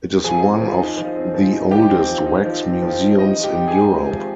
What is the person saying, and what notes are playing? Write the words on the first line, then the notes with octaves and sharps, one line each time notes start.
It is one of the oldest wax museums in Europe.
F3 G#4 G#5
C4
F3
D#4
F3
C4
F3
D#4
F3 G4 G5
C4
F3
D#4
F3
C4
F3
D#4
C3 D#5
F3
G4 G5
C3
G#4 G#5
G#3
C3
F3